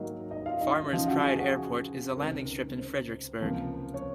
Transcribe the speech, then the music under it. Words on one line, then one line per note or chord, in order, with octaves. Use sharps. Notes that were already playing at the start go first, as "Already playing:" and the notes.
Farmers Pride Airport is a landing strip in Fredericksburg.
Already playing: G#2 D#3 F#3 A#3 D#4 D#5
D#4 D#5
F4 F5
D#4 D#5
D#4 D#5
F#2 C#3 F3 F4 F5
F#4 F#5
G#4 G#5
F5
F#4 F#5
C5
C#2 C3 D#3 A#4
C5
C#2 C3 F3 A#3
C#5